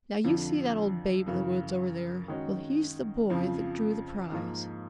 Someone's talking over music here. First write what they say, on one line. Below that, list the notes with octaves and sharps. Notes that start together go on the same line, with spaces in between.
Now, you see that old babe-in-the-wood over there? Well, he's the boy that drew the prize.
F2 D3 F3
F#2 C#3 E3
D#3 G#3 C#4 F#4
F2 C#3 F3
G#2 F3 A#3